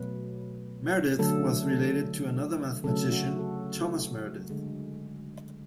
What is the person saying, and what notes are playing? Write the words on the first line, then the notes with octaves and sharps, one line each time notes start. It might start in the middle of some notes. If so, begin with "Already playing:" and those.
Meredith was related to another mathematician, Thomas Meredith.
Already playing: B2 F#3 A3 B4
D3 F#3 A3 A4
C#3 F#3 A3 A4
F#4
A4
D3 G#3